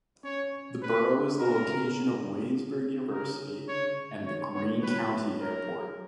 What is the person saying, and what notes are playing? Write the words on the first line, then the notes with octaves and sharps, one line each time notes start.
The borough is the location of Waynesburg University and the Greene County Airport.
C#4 C#5
B4
B3 A#4
C#3
C#3 A#4
C#5
D#3 C#5
B3 C#5
G#3
F#3 B4
A#4